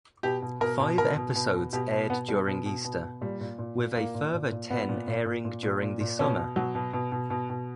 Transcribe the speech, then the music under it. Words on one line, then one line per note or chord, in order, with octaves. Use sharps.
Five episodes aired during Easter, with a further ten airing during the summer.
B2 G4
B2
B2 A#4
B2
B2 A#4
B2
B2
B2
B2 G4
B2
B2 B3
B2 G3
B2
B2
B2
B2
A#2 G3
A#2
A#2
A#2
A#2 A#3
A#2
A#2
A#2
A#2 B3
A#2
A#2
A#2
A#2
A#2
A#2
A#2
B2 C#4
B2
B2 F#3
B2
B2
B2
B2
B2